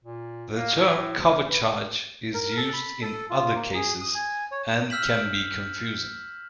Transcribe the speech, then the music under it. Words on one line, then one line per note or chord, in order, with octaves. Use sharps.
The term "cover charge" is used in other cases, and can be confusing.
A#2
A#3
A2
D2
B4
A#4
A4
B5
A4
F4
A#3
G#4
D#6
G#5
C#5
E6 F6 G6 B6 E7 F#7